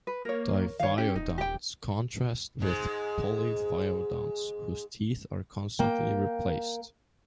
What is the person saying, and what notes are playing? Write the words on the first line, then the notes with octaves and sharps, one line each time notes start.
Diphyodonts contrast with polyphyodonts, whose teeth are constantly replaced.
B4
A#3 A#4 C#5
D#3 C#5 F5
C#4 G4
D#1 D#4
G4 G5
G#2 G#3
A#3 G5